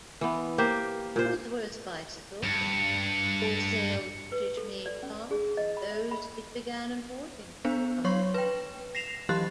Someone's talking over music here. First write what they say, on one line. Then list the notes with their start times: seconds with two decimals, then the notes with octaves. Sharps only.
Holdsworth bicycles and wholesaled British-made parts and those it began importing from the continent.
0.21 E3 B3
0.58 A#3 G4 C5
1.16 A#2 C5
2.43 G2 C#7
4.32 B4
4.57 A4
4.86 D5
5.03 C#4
5.31 G#4
5.57 D#5
5.77 B5
5.91 E5
6.11 B5
7.65 B3 D4 C5
8.05 F#3 C#5 C6 C#6
8.34 B4 G5
8.95 A#6 C7 E7 F7
9.29 E3 F#3 G4 C6 F#6 A6